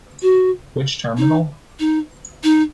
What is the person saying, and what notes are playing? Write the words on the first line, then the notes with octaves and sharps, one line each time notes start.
Which terminal?
F#4
D#4
D#4
D#4